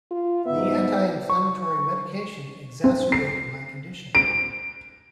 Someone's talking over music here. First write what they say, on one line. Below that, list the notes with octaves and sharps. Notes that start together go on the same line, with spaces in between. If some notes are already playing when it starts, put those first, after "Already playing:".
The anti-inflammatory medication exacerbated my condition.
F4
G#2 B3 E5
C#6
C4
C7
D7